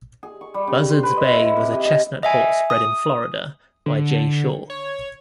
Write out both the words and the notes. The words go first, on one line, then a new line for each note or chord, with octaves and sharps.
Buzzards Bay was a chestnut horse bred in Florida by Jay Shaw.
G#4
C#6
G3
C#3
C5
B4
D#5
E4
G#4
C3
D#5
D#5
D#5 E5 G#5
D#6
D3
C#5